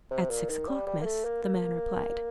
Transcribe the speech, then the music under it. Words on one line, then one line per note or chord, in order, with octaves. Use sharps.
"At six o'clock, miss," the man replied.
C3
A#2
D#3
G3
G3
A#3
A3
A#3
A#3